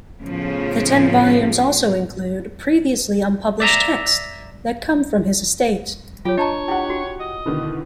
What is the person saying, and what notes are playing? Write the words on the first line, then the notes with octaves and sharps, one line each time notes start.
The ten volumes also include previously unpublished texts that come from his estate.
A2 C#3 F3 B3
D5 E5 A5 A#5
F#3 F4 G4 C#5
D4 C#5 D#5 A5 A#5
E4 G4 F#5
F#4
D#5
B2 D3 D#3 E4